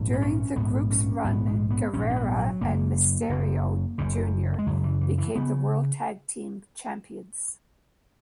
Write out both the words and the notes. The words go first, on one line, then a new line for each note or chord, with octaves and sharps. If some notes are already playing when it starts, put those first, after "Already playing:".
During the group's run, Guerrera and Misterio, Junior became the World Tag Team Champions.
Already playing: A#1 G#2
B3
C#4
A#1 G#2 B3
C#4
A#1 G#2 B3
G#3
B3
A#1 G#2 C#4
C#4
B3
F#3
F#1 F#2 C#3 A#3
F#1 F#2 C#3
F#1 F#2 C#3
G#3
F#1 F#2 C#3 F#3
E3
E3
E3
C#3 B3